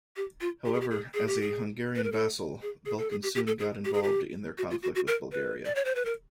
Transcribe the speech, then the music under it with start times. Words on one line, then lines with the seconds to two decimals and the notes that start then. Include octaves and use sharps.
However, as a Hungarian vassal, Vukan soon got involved in their conflict with Bulgaria.
0.16 G4
0.41 F4
0.66 G4
0.74 G#4
0.81 G4
0.91 G#4
1.14 G#4
1.27 G4
1.42 G#4
1.95 B4
2.04 A#4
2.12 A4
2.62 G#4
2.86 G#4
2.98 A4
3.11 G#4
3.23 G4
3.35 G4
3.47 A4
3.60 G#4
3.85 G4
3.93 G#4
4.03 G4
4.58 F#4
4.70 F4
4.83 F#4
4.95 F#4
5.08 A#4
5.32 B4
5.65 D5
5.75 C#5
5.85 C5
5.95 B4
6.05 A#4